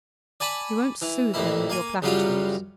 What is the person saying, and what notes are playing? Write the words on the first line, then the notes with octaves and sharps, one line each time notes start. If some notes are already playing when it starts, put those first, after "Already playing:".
"You won't soothe him with your platitudes."
D5 G#5 A5 B5
E3
A1 F2 A#2 E4
A#3 G#5
F#2 C#3 F#3 G3 F4